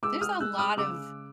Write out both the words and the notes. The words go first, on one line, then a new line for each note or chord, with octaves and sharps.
There's a lot of
G#3 D6 E6
D#6 F6
G#3 E6 F#6
D#6 F6
C#3 D6 E6